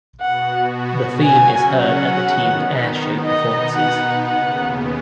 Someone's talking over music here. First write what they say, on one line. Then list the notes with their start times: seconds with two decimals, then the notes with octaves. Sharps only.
The theme is heard at the team's airshow performances.
0.21 B2 B3 F#4 F#5
1.23 C#3 F#3 C#4 F#4 G#5
1.74 F#5
2.24 D#3 B3 D#4
3.26 B2 B3 D#4 D#5
3.76 F#5
4.26 D#2 C#3 B3 F#5